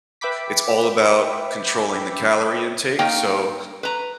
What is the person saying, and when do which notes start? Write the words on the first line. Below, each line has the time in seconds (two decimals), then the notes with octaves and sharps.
It's all about controlling the calorie intake, so
0.21 B4 E5 G5 B5 D6 B6
2.99 A#3 D#4 A#4 C#5 G5
3.83 B4 A#5